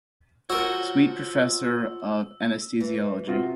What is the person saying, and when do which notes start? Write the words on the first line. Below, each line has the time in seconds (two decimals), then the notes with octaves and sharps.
Sweet Professor of Anesthesiology.
0.50 F4 F#4 A#4 C5 C#5 E6
2.81 E3
3.27 C3 F4 F#4